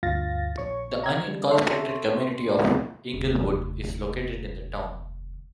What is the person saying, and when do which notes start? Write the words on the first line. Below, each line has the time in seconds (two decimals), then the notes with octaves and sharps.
The unincorporated community of Englewood is located in the town.
0.03 D2 G2 F4 F5 A6 A#6
0.58 A#1 C#5 C#6
1.03 A#5 G#6
1.27 G3
1.51 A4 E5 C6 C#6
2.23 C6
3.13 F1 D#2